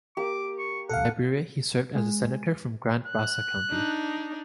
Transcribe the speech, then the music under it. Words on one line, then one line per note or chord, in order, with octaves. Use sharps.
In Liberia, he served as a senator from Grand Bassa County.
A#3 G4 D6
C#6
A4 F5 F#5
G#3
F#6
D4 D#4